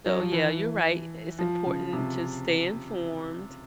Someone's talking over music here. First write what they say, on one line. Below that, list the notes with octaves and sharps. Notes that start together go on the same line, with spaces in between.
so yeah, you're right, it's important to stay informed
F#3
F3
E3
F3
C#3
C3